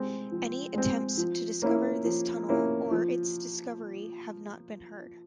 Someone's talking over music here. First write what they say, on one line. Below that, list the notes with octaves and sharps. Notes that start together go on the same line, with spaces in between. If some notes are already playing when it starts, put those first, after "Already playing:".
Any attempts to discover this tunnel or its discovery have not been heard.
Already playing: G#3 C4
F3
G#3 C4
F3
A#3 C#4 E4
F3
A#3 C#4 E4
F3